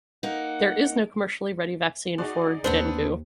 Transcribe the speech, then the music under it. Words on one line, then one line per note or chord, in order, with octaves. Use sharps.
There is no commercially ready vaccine for dengue.
A#3 D#4 F#5
D#4 F#4 G#4 D5
D#2 B3 C4 D4 B4 C5